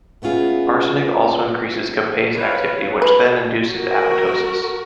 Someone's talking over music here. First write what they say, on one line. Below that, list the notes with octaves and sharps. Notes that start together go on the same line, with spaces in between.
Arsenic also increases caspase activity which then induces apoptosis.
A3 B3 C#4 F4 G#4
B4 C#5 F5
A#4 B4
F#4 A#4